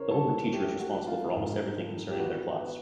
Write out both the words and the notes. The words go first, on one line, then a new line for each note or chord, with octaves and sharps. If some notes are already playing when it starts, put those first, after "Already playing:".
The homeroom teacher is responsible for almost everything concerning their class.
Already playing: C#3 A#4 C5 C#5
G3 A4
A3 G4
F#4
A3
F4
G#2
F3
G4
B3 F#4
B3